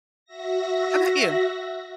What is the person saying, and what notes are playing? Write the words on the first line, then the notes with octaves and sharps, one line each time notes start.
How 'bout you?
F#4 E5 A#6